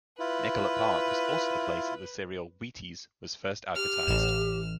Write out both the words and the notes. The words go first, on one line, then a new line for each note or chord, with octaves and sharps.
Nicollet Park was also the place that the cereal Wheaties was first advertised.
E4 F4 B4
G4 F6
A1 A2 E3 E7